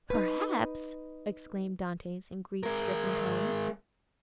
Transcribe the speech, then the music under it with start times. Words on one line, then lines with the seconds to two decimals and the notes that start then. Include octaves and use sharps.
"Perhaps!" exclaimed Dantes in grief-stricken tones.
0.10 D#4 B4
2.63 G#3 A#4